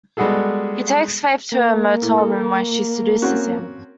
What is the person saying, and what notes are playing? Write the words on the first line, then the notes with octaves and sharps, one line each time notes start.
He takes Faith to her motel room where she seduces him.
G3 G#3 B3 F#4 G#4 A4
A#3
A2
A4
C4 C#4 F#4